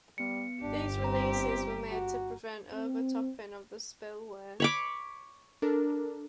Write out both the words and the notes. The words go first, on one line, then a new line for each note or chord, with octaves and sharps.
These releases were made to prevent overtopping of the spillway.
G3 B3 C#7
G1 D4 G4
C4 A#5
F#4
C4
C#5 B5 D6
D4 A4 A#4